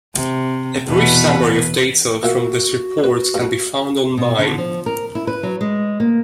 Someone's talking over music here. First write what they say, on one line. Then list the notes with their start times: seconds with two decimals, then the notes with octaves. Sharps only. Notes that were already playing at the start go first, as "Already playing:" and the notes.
A brief summary of data from this report can be found online.
0.15 C3
0.86 E2 B2 B4
2.23 A#2 F#4 E5 F#5
3.04 F#4 B4
3.34 G2
4.17 B2
4.39 D3
4.58 F3
4.86 A#4
5.15 E4
5.27 B4
5.43 F#3
5.61 G#3
6.00 A#3